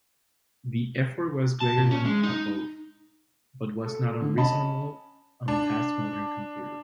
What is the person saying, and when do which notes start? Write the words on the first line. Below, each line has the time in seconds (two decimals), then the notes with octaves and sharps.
The effort was greater than above, but was not unreasonable on fast modern computers.
1.60 A5
1.78 A#2
1.91 C#4
2.05 G#3
2.23 D#4
3.86 A4
4.20 D3
4.38 C#4 D#5 A5 B5
5.48 D4